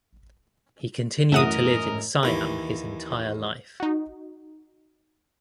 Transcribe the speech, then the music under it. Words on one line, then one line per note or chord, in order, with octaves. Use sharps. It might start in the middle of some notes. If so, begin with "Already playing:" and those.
He continued to live in Siam his entire life.
F#2 A2 E3 A#4 D#5 E5 F#5 D#6
D#2 E3
D#4 F#4